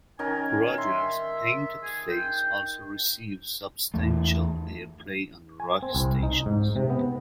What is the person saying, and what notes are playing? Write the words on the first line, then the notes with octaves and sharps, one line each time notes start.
Rodgers' "Painted Face" also received substantial airplay on rock stations.
D#3 C#4 A#4 G#5
E5 C6
G#4
G5
E2 E3 A3
G#5
C4
C2
D#4
G#2
C3
B3